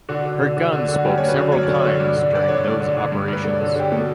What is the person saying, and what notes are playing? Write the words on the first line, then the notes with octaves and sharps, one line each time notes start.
Her guns spoke several times during those operations.
D3 F#4
D3
D3
D3
D3
D3 F#4
F#2 G4
F#2 C#5
B4
D3
F#2 C#5
D3 D5
C#5
D3
G2
D3
D3 D5
D3 C#5
G2
D3
D3
G2
G2 B4
G2 A4
D3
D3 G4
B2 A4